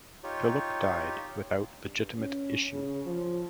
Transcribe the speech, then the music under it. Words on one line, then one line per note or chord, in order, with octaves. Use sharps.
Philip died without legitimate issue.
D#4 F4 G4 C#5
G2
C#4
C#3
F3